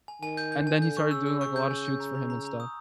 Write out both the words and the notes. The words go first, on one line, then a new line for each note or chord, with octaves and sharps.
and then he started doing, like, a lot of shoots for him and stuff,
G#5
D#3 G#5
G6
G6
G#5
D3 G6
C#6
C#3 E6
E6
C#6
G6
G#5
G6
A#5
A#5
A#5
A#5
D#6